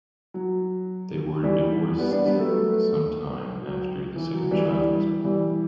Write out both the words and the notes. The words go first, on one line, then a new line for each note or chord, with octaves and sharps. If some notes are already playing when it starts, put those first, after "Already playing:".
They were divorced sometime after the second child was born.
F#3
E3 G3
G3 B3
B3 D4
G3 B3
F#3 A3
F#3
E3
F#3
E3 G3
E3 G3
E3 G3